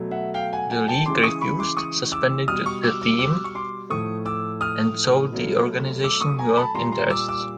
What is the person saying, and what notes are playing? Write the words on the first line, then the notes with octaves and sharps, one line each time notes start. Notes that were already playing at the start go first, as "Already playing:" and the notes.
The league refused, suspended the team and sold the organization New York interests.
Already playing: B2 F#3 A3
E5 F#5
F5 G5
F#5 G#5
F#5 G#5
G5 A5
C#3 E3 G#3 C6 D6
C#6 D#6
B5 C#6
C6 D6
C#6 D#6
D6 E6
B2 G3 D#6 F6
C#6 D#6
D6 E6
D6 E6
D6 E6
C#6
C6 D6
A2 F3 A3 C#6 D#6
D6 E6
D#6 F6
B2 F#3 A3
D6 E6
C#6 D#6
G#5 A#5
A5 B5
A#2 G3 A#5 C6
A#5 C6
D6 E6
D6 E6
D6